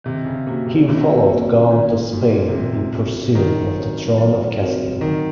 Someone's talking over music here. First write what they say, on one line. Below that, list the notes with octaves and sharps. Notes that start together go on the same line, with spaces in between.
He followed Gaunt to Spain in pursuit of the throne of Castile.
C3 D#3
C#3
C3 A#3 C#4 F#4
C3
C3 D#3
A#3 C#4 F#4
A#2 D#3
G#2 A#3 C#4 F#4
C3
A#2 D#3
A#3 C#4 F#4
D#3 F#3
C4 F#4 A#4 C#5
F#3
C4 F#4 A#4 C#5
D#3 F#3